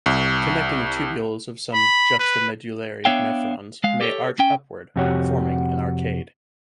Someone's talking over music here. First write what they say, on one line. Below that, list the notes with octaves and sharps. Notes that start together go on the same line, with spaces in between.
Connecting tubules of some juxtamedullary nephrons may arch upward, forming an arcade.
C2
B5
B4
B3 D4 C#5 E5 F5 G5
G#3 F5
G4 A4 C#5
C#4 G5
F2 C3 F#4 G4 C#5 F#5